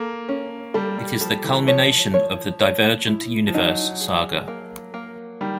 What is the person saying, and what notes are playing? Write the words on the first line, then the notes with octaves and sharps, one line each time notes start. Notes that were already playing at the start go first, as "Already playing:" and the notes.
It is the culmination of the "Divergent Universe" saga.
Already playing: A#3 A4
C#4
G3 A4
G3
F3 A4
E3
F3 C#5
C#5
C#5
E4
F3
F#3 D#4
G#4
A#3
A#3
D#3 G3